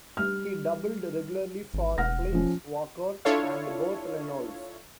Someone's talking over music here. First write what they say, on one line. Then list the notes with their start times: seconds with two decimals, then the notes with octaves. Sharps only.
He doubled regularly for Clint Walker and Burt Reynolds.
0.17 G3 F6
1.74 G#1
1.98 E1 F#5 F6 A#6
2.33 F3 C#4
3.25 D4 E4 F4 A4 C#5 F5